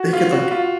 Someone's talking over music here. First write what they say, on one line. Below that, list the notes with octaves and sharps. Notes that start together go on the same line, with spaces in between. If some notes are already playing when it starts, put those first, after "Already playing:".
They could like
Already playing: F#4
F4
F#4
F4